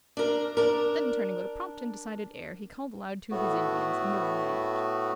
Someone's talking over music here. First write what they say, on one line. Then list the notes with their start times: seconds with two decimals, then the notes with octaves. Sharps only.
Then, turning with a prompt and decided air, he called aloud to his Indians, in their own language.
0.17 D4 A#4
0.57 D4 A#4
3.31 A2 A3 B3 F#4